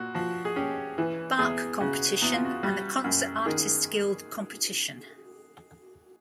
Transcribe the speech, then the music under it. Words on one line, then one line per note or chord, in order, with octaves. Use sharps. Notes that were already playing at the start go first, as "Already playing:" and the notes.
Bach Competition and the Concert Artists Guild Competition.
Already playing: A#2 F#4
F3 F#4
G#4
C#4 G4
E3
E2 G#4
C#3 F#4
E2 F#4
F4
F#4
G3 F#4
F#2
D#3 G#4